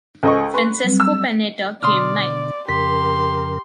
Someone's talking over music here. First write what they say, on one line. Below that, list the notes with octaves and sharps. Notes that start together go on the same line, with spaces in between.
Francesco Panetta came ninth.
C#2 C#4 A4 C5 D#5 C#6
B4 G#5 C6 C#6
F#3 G3 C4
E6
B2 D3 D5 C6 D#6 F6
F2 C#3 G4 A#4 C6 B6